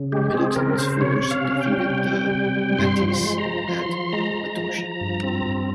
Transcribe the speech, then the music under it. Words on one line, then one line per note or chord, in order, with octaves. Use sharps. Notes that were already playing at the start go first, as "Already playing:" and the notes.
Middelton's force defeated the Metis at Batoche.
Already playing: C#3
G#3 G4
C4 G#4
G#4
C#3 A#4
C#3 C5
C3 C#5
C3
F5
C#4
G5
G3
C3
G3
C3
G3
G2 C6
F3
C6
G#3
A#5
F3
F3 C6
F3
G#3 A#5
G#3
F3
F3
G2
C4
G2